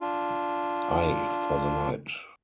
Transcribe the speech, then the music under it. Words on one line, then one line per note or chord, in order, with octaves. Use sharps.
Ay, for the night.
D4 F4